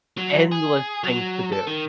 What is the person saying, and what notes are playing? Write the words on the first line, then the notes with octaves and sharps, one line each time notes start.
Endless things to do.
F#3
G#4
F#3
A4
D#3